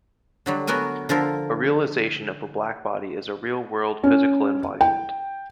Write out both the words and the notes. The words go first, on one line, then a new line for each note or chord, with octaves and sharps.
A realization of a black body is a real world, physical embodiment.
D3 F#3 G3
F#3 B3 F#4 A#4 G#5
D3 F3 A4 A#4
C#4
G5